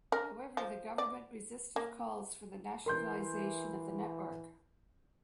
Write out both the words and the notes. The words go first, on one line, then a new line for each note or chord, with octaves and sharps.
However, the government resisted calls for the nationalisation of the network.
A#4
F3
D5
A#3
E3 A#4 C6 G6